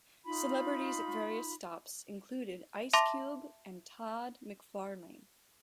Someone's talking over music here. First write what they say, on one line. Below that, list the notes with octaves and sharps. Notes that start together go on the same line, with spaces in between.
Celebrities at various stops included Ice Cube and Todd McFarlane.
D#4 F4 B5
E5 A5 C6 D6 A#6